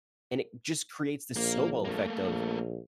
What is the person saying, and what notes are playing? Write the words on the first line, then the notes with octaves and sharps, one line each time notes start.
and it just creates this snowball effect of
A#1 A#3
A3 A#3
A#1